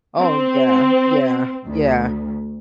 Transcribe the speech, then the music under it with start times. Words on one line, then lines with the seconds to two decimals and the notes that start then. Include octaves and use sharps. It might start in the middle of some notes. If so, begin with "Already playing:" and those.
Oh, yeah, yeah, yeah.
0.20 C4
1.66 D2